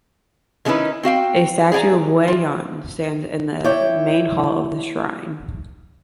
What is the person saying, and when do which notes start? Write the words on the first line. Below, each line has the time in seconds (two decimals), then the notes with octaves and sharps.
A statue of Wei Yan stands in the main hall of the shrine.
0.65 D#3 G#3 C#4 D#4 E4 B4
1.03 C4 F#4 F5 G5
1.72 G#4 D5 G5 G#5 A#5
2.28 F4
3.64 E4 C#5 D5 G5